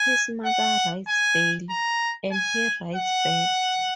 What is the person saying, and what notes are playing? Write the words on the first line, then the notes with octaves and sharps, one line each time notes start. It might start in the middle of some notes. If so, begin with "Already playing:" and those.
His mother writes daily, and he writes back.
Already playing: G#5
F#5
G#5
A#5
G#5
F#5